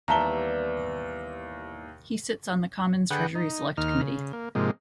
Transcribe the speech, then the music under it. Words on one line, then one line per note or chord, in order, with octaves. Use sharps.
He sits on the Commons Treasury Select Committee.
D#2 E3 G3 B3 E5 A5 A#5 G7
D3 G#4 B4 F#5 G5
D#4
D#2 D#4 F6
C#3
A#3
G#2 C3 F3 G#3 A#3